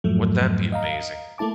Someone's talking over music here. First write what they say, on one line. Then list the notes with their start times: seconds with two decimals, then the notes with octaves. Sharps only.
Wouldn't that be amazing?
0.04 F2 G#2 F3 F#3 A3
0.72 D#5 F5 A#5
1.38 A3 A#3 E4 A5 D6